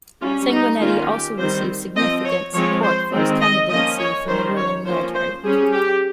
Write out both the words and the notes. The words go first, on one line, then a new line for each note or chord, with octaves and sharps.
Sanguinetti also received significant support for his candidacy from the ruling military.
G3 C#4 F4
D#4
D#3 A#3 C#4 F4
G4
D#3 G3 C4 C5
F3 C4 D#5
C#5
F3 G#3 C4 C#5
C5
D#3 G#3 C4
D#5
F3 A#3 C#4 D#5
C#5
D#3 G3 C#4 C5
C#5
F3 A#3 C#4 C5
C5
G3 C#4 G#4
G4